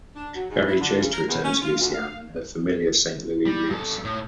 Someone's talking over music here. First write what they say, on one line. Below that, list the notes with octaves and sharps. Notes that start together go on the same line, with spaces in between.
Berry chose to return to Lucy Ann and her familiar Saint Louis roots.
D4
F#3
G#2
E4
D3
C#3
A#4
E2
C#4
F4
D2
F5
G3
G2 A4
A2